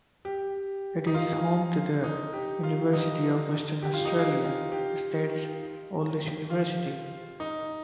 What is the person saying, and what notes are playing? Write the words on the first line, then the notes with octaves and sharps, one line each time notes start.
It is home to the University of Western Australia, the state's oldest university.
G4
D#4
F4
D#4
G4
F4
D#4
G4
F4
D#4
F4
G4
F4
D#4